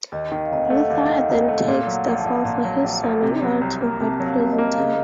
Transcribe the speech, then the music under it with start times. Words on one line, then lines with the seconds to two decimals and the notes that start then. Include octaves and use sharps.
Luther then takes the fall for his son in order to avoid prison time.
0.12 D#2 D#5
0.32 D#3
0.38 D#5
0.46 F5
0.52 F1 D#5
0.65 F#5
0.70 A3
0.90 D#2 F5
1.10 D#3
1.29 F1 D#5
1.48 A3
1.67 A#2 F5
1.87 F#3
1.93 F#5
2.06 A#1
2.19 A5
2.25 A#1
2.45 A#2 A#5
2.65 F#3
2.84 A#1
3.03 A#1
3.22 C3
3.42 F#3
3.61 C2
3.81 A#3
4.00 C3 A5
4.20 F#3
4.26 F5
4.39 C2
4.51 D#5
4.58 A#3
4.73 F5
4.78 C#3 D#5